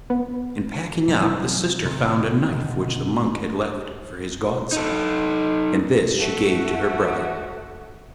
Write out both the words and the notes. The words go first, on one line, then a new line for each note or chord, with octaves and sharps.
In packing up, the sister found a knife which the monk had left for his godson, and this she gave to her brother.
B3
E1 F#3 G3 C4
C3 D#3 G#3
D#1 B2 D3 C4
A3
D#4 A4
A3 F#4